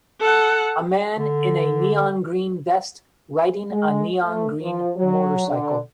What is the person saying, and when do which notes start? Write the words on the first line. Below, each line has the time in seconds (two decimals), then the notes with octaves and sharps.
A man in a neongreen vest riding a neongreen motorcycle.
0.20 A4 F#5
1.19 D3
3.72 G#3
4.23 A3
4.62 F3
4.96 F#3
5.48 D3